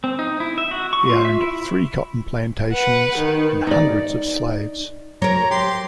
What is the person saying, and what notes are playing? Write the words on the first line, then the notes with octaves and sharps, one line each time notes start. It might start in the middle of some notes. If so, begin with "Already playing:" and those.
He owned three cotton plantations and hundreds of slaves.
C4
D#4
E4
E5
F#4
C#6
F4
E5
E4
B4 F#5
D#3
D#4 D5
F#3 A#4 C#5 A#5
G4 C6